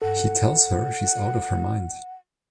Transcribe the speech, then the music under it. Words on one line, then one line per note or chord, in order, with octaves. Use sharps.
He tells her she is out of her mind.
A4 F#5